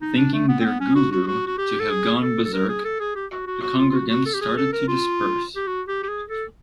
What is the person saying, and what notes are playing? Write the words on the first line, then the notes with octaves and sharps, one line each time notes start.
Thinking their Guru to have gone berserk, the congregants started to disperse.
D#4
D4
A3
B3
C4
B3
C#4
F#4
F#4
F#4
F#4
G4
A4
G#4
A4
A4
A#4
G#4
A4
G#4
G4
F#4
F#4
F#4
F4
F4
F#4
F#4
A4
G4
G#4
A4
A#4
F4
G4
F#4
G4
G4
G#4
A4